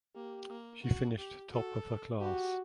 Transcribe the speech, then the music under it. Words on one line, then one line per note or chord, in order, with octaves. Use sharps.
She finished top of her class.
A#3 G4
A#3
F#4
G4
F#4 A4
F#4 G4